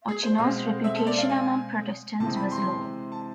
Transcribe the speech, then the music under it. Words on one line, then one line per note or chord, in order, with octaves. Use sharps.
Ochino's reputation among Protestants was low.
G#4
C5
B2 G#3 C4 F5
E5
A4
D5
F5
G#5
C3 E3 G#3 C4 A5
B5
C6
A5